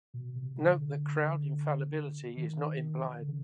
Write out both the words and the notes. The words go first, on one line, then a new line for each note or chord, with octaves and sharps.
Note that Crowd Infallibility is not implied.
B2
C3
D3
D#3
D3
C#3